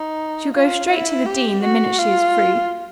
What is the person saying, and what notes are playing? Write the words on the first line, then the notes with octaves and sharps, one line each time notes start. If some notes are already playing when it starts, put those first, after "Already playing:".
She'll go straight to the dean, the minute she is free.
Already playing: D#4
F4
E4
G4
F#4
F4